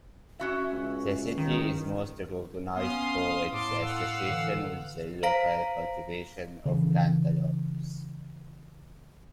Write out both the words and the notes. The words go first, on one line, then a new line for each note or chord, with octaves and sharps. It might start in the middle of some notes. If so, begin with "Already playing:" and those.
The city is most recognized for its association with the local cultivation of cantaloupes.
C#4 F#4 E5
C#2
C#2 D#3
B3 C#4 F5 C6 D#6
A2 A5 C6 D6
F5 F#5 E6
D3 E3
C5 F5 A#5 A#6 B6 D7
C#3 E3